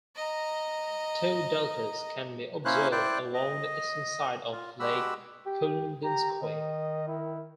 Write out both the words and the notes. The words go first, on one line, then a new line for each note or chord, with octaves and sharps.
Two deltas can be observed along the eastern side of Lake Kulundinskoye.
D#5 A#5
A#3 C#4 E4 C5 C#5 F#6
E4 C5 D5 G5 F#6
D#5
F4
G#3 F#4 G4 B5 E6
G4
G4 A#5
D#3 D#5
E4